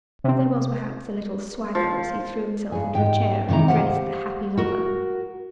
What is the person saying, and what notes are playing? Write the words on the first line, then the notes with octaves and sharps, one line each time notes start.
There was perhaps a little swagger as he threw himself into a chair and addressed the happy lover.
C3 C4
F3
G2 G#4
G#2 G4 G5
G2 C3 D#3 E3 A#5
G4 C5 F5 F#5
F#4 A#4